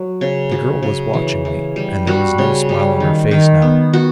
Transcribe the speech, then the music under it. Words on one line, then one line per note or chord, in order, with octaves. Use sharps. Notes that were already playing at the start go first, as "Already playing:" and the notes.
The girl was watching me, and there was no smile on her face now.
Already playing: F#3
C#3
F#3
C#3
E3
E3
G3
G3 F#4
C#3
G3
D#3
D#3
B3
B3 F#4